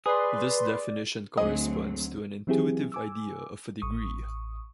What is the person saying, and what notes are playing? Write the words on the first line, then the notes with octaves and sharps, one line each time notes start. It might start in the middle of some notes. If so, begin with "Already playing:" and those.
This definition corresponds to an intuitive idea of a degree.
G#4 B4 D5 C6
D2 F#3 C4 G#4 D#5
E3 F#3 C4 E4 G4 G#4
G#5 D6 E6
A1 C#6 D#6